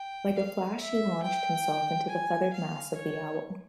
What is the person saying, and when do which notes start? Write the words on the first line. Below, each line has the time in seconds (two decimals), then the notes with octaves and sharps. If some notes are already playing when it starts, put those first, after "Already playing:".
Like a flash he launched himself into the feathered mass of the owl.
Already playing: G5
0.36 F5
0.79 E5
1.23 G5
2.10 G#5
2.53 F5
2.96 C#5